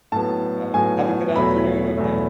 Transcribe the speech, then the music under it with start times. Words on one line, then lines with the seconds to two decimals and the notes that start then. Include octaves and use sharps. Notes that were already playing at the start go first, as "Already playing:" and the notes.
Yeah, have a good afternoon, okay?
0.12 A2 F#3 B3 A5
0.74 A2 F#3 B3 G#5
1.36 E2 B2 F#3 A3 B5
1.97 E2 B2 F#3 A3